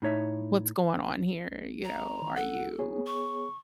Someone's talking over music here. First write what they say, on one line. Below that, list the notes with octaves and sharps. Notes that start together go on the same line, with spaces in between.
what's going on here, you know, are you
A2 D#4 C#5 E5
A#5
D#3
A4 F#5
B3 G#4 C#5
C#6